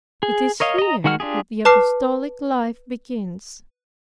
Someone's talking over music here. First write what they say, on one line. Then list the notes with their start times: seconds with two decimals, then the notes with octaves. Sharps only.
It is here that the apostolic life begins.
0.23 G#4
0.60 A#4 C#5 D#5 F5
0.78 D#5 A#5
1.04 D#3 G#3 F#4 F#5 F6
1.20 D4 F4 G4 G#4
1.65 B4 A5 D6 F6 C7